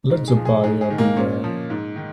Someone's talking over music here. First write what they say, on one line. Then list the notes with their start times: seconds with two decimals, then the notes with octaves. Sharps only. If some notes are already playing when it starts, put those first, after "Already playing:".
Let the buyer beware.
0.10 G#2
0.28 G#4
0.37 F3
0.45 G#4
0.63 G#2 G#4
0.81 G#4
0.90 D#3
0.98 A#3
1.17 A#2 C#4
1.44 F3
1.70 G#2
1.96 D#3